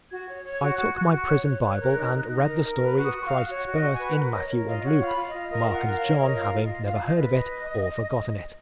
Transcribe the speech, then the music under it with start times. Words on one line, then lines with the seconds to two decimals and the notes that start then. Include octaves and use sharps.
I took my prison Bible and read the story of Christ's birth in Matthew and Luke, Mark and John having never heard of it or forgotten it.
0.10 F#4 G#6
0.28 C#5
0.44 C#5
0.61 F#4
0.78 F#4
0.95 F#4
1.11 F#4
1.28 C#5
1.45 C#5 F#6
1.63 C#5
1.80 A#4
1.96 D#4
2.13 D#4
2.30 D#4
2.47 A#4
2.64 A#4
2.80 B4 F6
2.98 F#4
3.04 D#6
3.14 F#4
3.26 F5
3.32 F#4
3.48 F#4 C#5
3.65 F#4 D#5
3.82 F#4
3.92 G#5
3.99 B4
4.16 A#4 F#5
4.33 C#5 D#5
4.49 A#4 C#5
4.66 F4 D#5
4.83 C#5 F#5
5.01 F4 B5
5.17 F4
5.28 D#5
5.33 F4
5.50 A#4 D#5
5.68 F4
5.74 F#5
5.85 A#4
5.96 F5
6.01 C#5
6.18 A#4 D#5
6.35 F4
6.41 F5
6.53 F4
6.63 D#5
6.69 F4
6.85 F4 F5
7.03 F4 D#5
7.20 B4
7.30 D#5